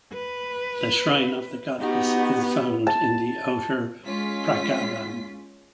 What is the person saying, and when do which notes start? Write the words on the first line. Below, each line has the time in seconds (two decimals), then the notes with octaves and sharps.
The shrine of the Goddess is found in the outer prakaram.
0.13 B4
1.80 B3 D#4 F#4 G4
2.87 A5
4.04 G#3 C#4 F4 B6